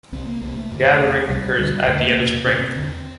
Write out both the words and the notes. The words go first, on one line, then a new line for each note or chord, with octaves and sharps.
Gathering occurs at the end of spring.
C2 C3 C4
A#3
C2 C3 A#3
A3
F2 D3
E2 C3
C2 C3 G3
D2 D3 G3
E2 D3 A3
A#3
E2 C3
D2 C3 C4
C4
E2 D3